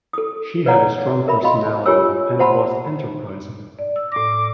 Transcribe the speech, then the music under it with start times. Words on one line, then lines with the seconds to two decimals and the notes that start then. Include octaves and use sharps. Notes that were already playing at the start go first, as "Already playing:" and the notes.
She had a strong personality and was enterprising.
0.13 A4 D#6
0.66 B4 C#5 D5 F5 F#5 A#5
1.28 A#4 E5 B5
1.43 F#4 D#5 F5 B5 C6
1.86 F4 G4 A#4 C#5 G#5 E6
2.39 C5 E5 F#5 A5 B5 C6
3.79 D5
3.96 E6
4.12 A2 D6 A#6